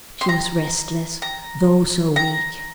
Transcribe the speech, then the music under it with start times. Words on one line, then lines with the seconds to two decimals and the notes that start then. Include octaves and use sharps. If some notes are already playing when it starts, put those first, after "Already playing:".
She was restless, though so weak.
0.21 C6
0.29 A#5
1.22 A#5
2.16 A#5